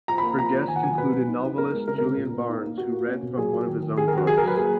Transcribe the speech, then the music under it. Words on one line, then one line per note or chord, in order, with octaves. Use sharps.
Her guests included novellist Julian Barnes, who read from one of his own books.
F3 A#5
B5
A#3
F3 A#5
F3
D#3 G#5
F#5
F#3 G#5
B2 B4
F#3
D#4
D#4
B3 A#4
G#3
C#3 A#4
A#4
C#3
A#2
B3
D#4
A#3
A#3 F#4
A#3
C#4
B2
F#3 G#4
F#3
D#3
D#3
D#3 G#4
A#4
D#3
F#4
F#3 G#4
A#4
F#3
B4
A#3 G#4